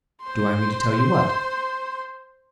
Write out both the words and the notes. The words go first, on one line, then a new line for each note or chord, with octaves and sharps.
Do I mean to tell you what?'
C5 C6